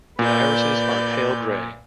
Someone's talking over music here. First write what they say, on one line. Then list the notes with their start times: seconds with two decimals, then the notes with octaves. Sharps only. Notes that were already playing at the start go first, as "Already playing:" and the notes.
The irises are pale grey.
0.19 A#2 B4 D5 G6